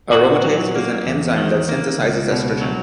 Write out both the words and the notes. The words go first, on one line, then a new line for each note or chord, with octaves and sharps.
Aromatase is an enzyme that synthesizes estrogen.
A#2 F#4
F#3
A#3
E2
D#3
A#3
C#2
B2
F#3